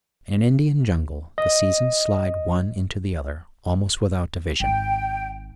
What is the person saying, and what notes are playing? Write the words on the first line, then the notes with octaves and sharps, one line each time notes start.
In an Indian Jungle the seasons slide one into the other almost without division.
D#5
G#1 G5